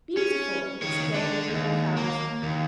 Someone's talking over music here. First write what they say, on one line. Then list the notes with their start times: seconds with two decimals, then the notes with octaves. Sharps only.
"Beautiful!" exclaimed the young fowls.
0.17 C#4
0.82 D#3 C#5
1.14 D4 A4
1.50 D#2
1.97 A#3
2.43 D#2